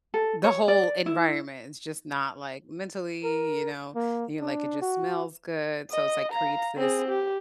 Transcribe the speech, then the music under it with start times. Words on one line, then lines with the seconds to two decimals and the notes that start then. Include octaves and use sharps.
the whole environment. It's just not like mentally, you know, then you're like, "It just smells good," so it's like, creates this
0.14 A4
0.44 C#5
0.68 D5
1.06 E4
3.24 A#4
3.96 A#3
4.41 D4
4.81 F#4
5.92 D#5
6.32 F5 A#5
6.77 C4 G#4
7.08 G4